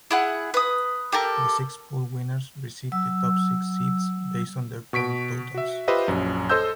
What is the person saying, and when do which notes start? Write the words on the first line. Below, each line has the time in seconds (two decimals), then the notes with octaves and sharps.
The six pool winners receive the top six seeds, based on their point totals.
0.11 E4 G#4 F#5
0.54 B4 D#6
1.12 G4 A4 A#4
2.92 F#3 E6
4.93 B2 C#6 B6 D7
5.54 F#4 E5
5.88 F4 G4 B4 C5 D#5 E5
6.08 A#1 F#2
6.49 A4 C5 D#5 E6 G6